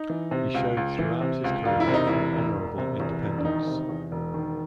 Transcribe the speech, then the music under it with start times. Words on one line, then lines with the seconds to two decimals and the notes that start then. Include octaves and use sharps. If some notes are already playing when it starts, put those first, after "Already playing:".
He showed throughout his career an honourable independence.
Already playing: D#4
0.10 E3
0.31 C3
0.54 C#2
0.77 C#2
0.99 E3
1.21 C3
1.44 C#2
1.65 E1 F4
1.80 E4
1.88 C3
1.94 D#4
2.07 E2 E4
2.32 E1
2.56 E1
2.78 C3
3.00 E2
3.22 E1
3.38 D4
3.45 D#3 D#4
3.67 C3
3.89 E2
4.12 E1
4.34 D#3